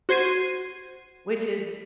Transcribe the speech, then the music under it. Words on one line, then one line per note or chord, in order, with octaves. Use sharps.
Which is
F#4 C5 G#6 C7 D#7